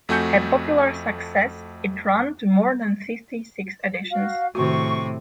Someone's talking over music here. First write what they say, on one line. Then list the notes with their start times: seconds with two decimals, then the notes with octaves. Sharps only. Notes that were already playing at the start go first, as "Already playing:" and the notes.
A popular success it ran to more than fifty six editions.
0.09 F2 A3 F#4 G#5 G6 C#7
4.10 F#4 F5
4.55 A2 C3 D#3 F#4 C#6